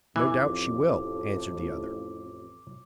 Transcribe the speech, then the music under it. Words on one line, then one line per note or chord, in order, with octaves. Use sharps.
"No doubt she will," answered the other.
A1 F2 E3 D6